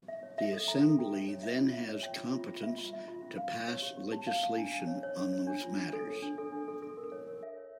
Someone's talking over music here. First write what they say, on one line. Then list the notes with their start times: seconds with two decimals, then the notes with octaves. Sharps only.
The Assembly then has competence to pass legislation on those Matters.
0.08 E5
0.23 C#5
0.38 E5
0.53 A4
0.68 A#5
0.83 A4
0.99 G5
1.14 E5
1.29 C#5
1.43 E5
1.59 F4
1.73 E5
1.88 C#5
2.03 G5
2.18 F4
2.33 F4
2.48 F4
2.63 E5
2.78 F4
2.93 E5
3.08 F4
3.22 C#4
3.38 F5
3.53 F5
3.68 C#5
3.82 G4
3.97 G4
4.12 A5
4.27 F5
4.43 F5
4.57 D4
4.72 D4
4.87 C#5
5.03 C#5
5.17 C#5
5.33 C#5
5.47 D4
5.63 F4
5.78 D4
5.93 A4
6.08 C#5
6.22 D4
6.38 A4
6.52 D4
6.68 A4
6.82 A4
6.97 A#4
7.12 C#5
7.27 A#4
7.43 E5
7.58 C#5